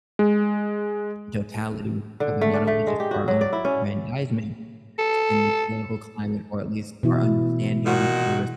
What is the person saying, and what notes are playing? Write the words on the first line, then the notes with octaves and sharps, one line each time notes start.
in totality with each other, not only just for our own self-aggrandizement, but just in the political climate or at least our understanding of each other as
G#3
D3
A3
D5
A3
G#3
G4
F#4
F#3
D5
E4
C#4
A4
B2 E3 E4
A#2 D#3 F#4